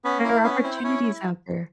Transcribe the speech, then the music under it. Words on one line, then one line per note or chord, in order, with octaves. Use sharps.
There are opportunities out there.
B3 C#4 B4
A#3 E4 A#4
B3 C#4 B4
C4 E4 C5
C5
C#4 E4 C#5
E4